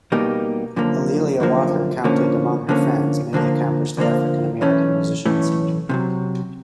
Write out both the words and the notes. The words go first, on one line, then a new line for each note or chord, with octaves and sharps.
A'Lelia Walker counted among her friends many accomplished African American musicians.
B2 G3 A#3 D#4 G4
F#2 D3 F3 A#3
F#2 D3 F3 A#3
D3 F3 A#3 C#4
D3 F3 A#3 C#4
D2 D3 F3 A#3
D2 D3 F3 A#3
B1 A2 E3 A3 C#4
B1 A2 E3 A3 C#4
C3 D#3 F#3